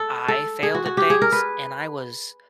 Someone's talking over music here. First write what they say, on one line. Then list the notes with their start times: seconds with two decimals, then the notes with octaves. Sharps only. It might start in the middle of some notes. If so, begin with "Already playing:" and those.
I failed at things, and I was
Already playing: A4
0.28 A4
0.63 G#4
0.75 F#4
0.86 F#4
0.97 G4
1.10 G#4
1.22 A#4
1.32 B4